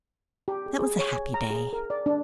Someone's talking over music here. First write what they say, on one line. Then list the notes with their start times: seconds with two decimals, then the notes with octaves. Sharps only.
That was a happy day.
0.48 G4
0.66 G#4
0.80 G#4
0.99 C#5
1.13 G#5
1.34 A#5
1.51 G#4
1.73 A#4
1.90 D5
2.06 D4